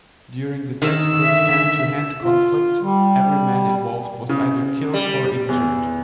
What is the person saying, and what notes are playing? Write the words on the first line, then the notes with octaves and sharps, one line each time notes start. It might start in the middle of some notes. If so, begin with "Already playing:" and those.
During the desperate hand-to-hand conflict, every man involved was either killed or injured.
D#3 E6
D3 E5
F4
G3
C#3
G3
E2